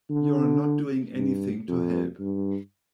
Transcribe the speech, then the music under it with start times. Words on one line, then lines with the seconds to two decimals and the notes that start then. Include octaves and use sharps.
You are not doing anything to help.
0.10 D3
1.15 G2
1.68 F2
2.20 G2